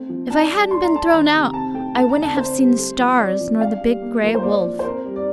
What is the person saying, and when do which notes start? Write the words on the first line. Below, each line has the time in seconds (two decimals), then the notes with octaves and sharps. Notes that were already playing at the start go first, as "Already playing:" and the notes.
"If I hadn't been thrown out I wouldn't have seen the stars, nor the big gray wolf."
Already playing: A3 C4
0.09 F3
0.30 D4 A5
0.51 G3
0.71 D4 C6
0.83 A#5
0.93 A3 A5
1.09 D#3 A#5
1.34 C3
1.54 C4 A5
1.74 A3 G5
1.95 A3 A5
2.09 A#5
2.16 D3
2.22 A5
2.36 C4 C5
2.58 G3
2.78 A3
2.99 F3
3.19 C4 D5
3.40 F3
3.60 D4 F5
3.81 G3
4.02 A#3
4.23 F3 A#4
4.35 C5
4.43 A#3 D5
4.65 F3
4.79 C5
4.85 C4 A#4
5.05 G3
5.16 D5